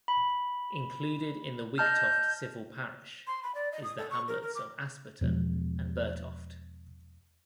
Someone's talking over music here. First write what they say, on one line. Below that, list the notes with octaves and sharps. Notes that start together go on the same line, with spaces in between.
Included in Wigtoft civil parish is the hamlets of Asperton and Burtoft.
B5
D#5 A5 F6 G6
C6
B5
D5
D#5
D#6
A4
C#6
A#4
A#4
D6
E2 B2 F3 G#3